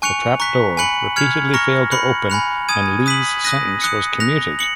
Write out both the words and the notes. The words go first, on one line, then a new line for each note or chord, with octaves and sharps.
The trap door repeatedly failed to open and Lee's sentence was commuted.
G#5 C#6 F#6 C#7 F7
A#5 C#6 F#6 B6
G#5 B5 F#6 C#7 F#7
F6 G#6 C#7 F7
A#5 C#6 F6 A#6 C#7
B5 F#6 C#7 F#7
G#5 B5 F#6 C#7 F7
G#5 D#6 G#6 D#7
D#6 F#6 B6 D#7 F#7
D#6 F#6 A#6 D#7
D#6 F#6 C#7
F#6 A#6 F7
C#7 F#7